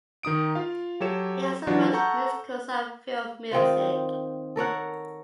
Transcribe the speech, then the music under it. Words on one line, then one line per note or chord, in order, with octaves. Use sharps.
He also wrote musicals and film music.
D#3 D#4 D#6 D7
F4 F5
F#3 G4 A4 C#5 E7
E3 F#3 D4 F4 F#4
A4 F#5 A#5 C#6 G6
D#3 C4 F4 C5
A4 A#4 C#5 F#5